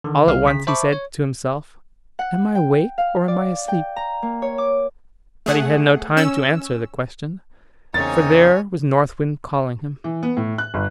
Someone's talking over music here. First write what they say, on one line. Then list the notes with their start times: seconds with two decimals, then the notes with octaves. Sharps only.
All at once he said to himself, "Am I awake, or am I asleep?" But he had no time to answer the question, for there was North Wind calling him.
0.04 D3 D#3
0.28 C2 F5 F6
0.47 C#3 B6
0.67 C5 E5 A5 B5 C#6 D6
0.92 C#5
2.19 F#5
2.55 G5
2.98 F5
3.28 D5
3.68 G5
3.96 A#5
4.22 A#3
4.42 C#5
4.58 D6
5.46 A3 G#4 F#5
6.17 C#4 E6
7.94 E2 C#3 A#3 C4 D#4 C#5 G#5 A6
10.04 E3
10.23 B3
10.37 A2
10.58 F#6
10.74 G1